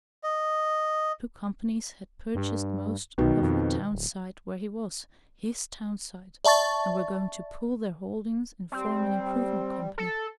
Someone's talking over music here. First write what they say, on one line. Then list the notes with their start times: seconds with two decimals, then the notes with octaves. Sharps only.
Two companies had purchased most of the town-site where he was--HIS town-site--and were going to pool their holdings and form an improvement company.
0.23 D#5
2.35 G2
3.18 B1 B2 D#3
3.41 F2
3.92 D1
6.45 D5 E5 A5 C#6 A6
8.72 G3 C4
9.98 A4